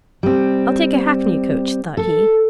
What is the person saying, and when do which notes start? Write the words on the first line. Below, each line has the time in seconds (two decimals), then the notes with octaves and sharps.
"I'll take a hackney-coach!" thought he.
0.23 G3 C4
1.97 A4